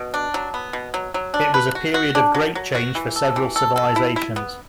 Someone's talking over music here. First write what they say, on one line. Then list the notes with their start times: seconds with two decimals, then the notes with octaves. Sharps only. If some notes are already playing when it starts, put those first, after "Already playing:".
It was a period of great change for several civilizations.
Already playing: B2
0.14 D4
0.34 F#3
0.54 B3
0.73 B2
0.94 F#3
1.14 F#3
1.34 D4
1.54 B4
1.75 F#4
1.94 F#4
2.15 D4
2.35 F#3
2.55 F#3
2.75 F#4
2.95 E3
3.16 A4
3.36 E3
3.56 A4
3.76 A4
3.96 E4
4.16 E4
4.36 B3